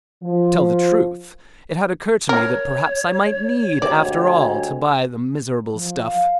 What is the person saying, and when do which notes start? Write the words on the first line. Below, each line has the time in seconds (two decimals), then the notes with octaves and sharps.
To tell the truth, it had occurred to me that perhaps I might need after all to buy the miserable stuff.
0.23 F3
2.29 A#4 C#5
3.82 D2 G#2 G4 D5
5.74 F3
6.07 F5